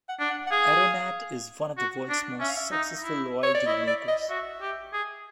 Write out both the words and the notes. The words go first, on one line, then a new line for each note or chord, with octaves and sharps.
Eronat is one of the world's most successful oil dealmakers.
F#5
D4
F#5
F#5
G#4 F5
F#4
D4
C#4 E5
F5
E5
D#4
E4
C#5
D5
E4 D#5
D5
D#5
F#4 E5
G4
G#4